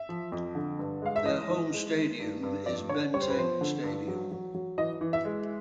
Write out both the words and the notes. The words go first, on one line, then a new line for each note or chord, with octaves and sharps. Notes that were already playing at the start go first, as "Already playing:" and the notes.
Their home stadium is Benteng Stadium.
Already playing: E5
F3
F2
D3
G2
G#3 F5
E5
E3 D#5
E3
G#3
D#3
G2
G2
F2 D5
D3 C#5
G3 C#5
C5
B4
F3 C5
D3
G2
F#3
F#3
F#3
E3 D#5
E3
E5
G#3